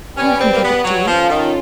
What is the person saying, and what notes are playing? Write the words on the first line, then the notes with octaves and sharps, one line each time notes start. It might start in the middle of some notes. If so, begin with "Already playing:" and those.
'Don't think of it, dear.
C#4 G4 B4 D5
C4
A#3
B3
F#3
F3 C#4 F4 A4
D#3